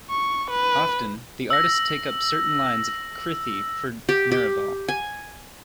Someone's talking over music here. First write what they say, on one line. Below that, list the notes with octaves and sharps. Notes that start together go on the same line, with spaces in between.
Often, the artists take up certain lines of a Krithi for "neraval".
C#6
B4
E6 A#6
G4
G4
G#5